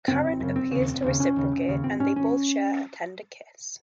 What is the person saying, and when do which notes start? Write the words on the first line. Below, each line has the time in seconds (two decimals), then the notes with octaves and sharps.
Karen appears to reciprocate and they both share a tender kiss.
0.08 F#2 C#3 C4
0.25 G#1
0.40 F#2 C#3
0.56 F1 C4
0.71 D#2 C#3
0.88 F1
1.04 D#2 C#3
1.20 F1 C#4
1.36 D#2 C#3
1.52 F1
1.68 D#2 C#3
1.83 G#1 C4
2.00 G#2 C#4
2.16 G#1 C#4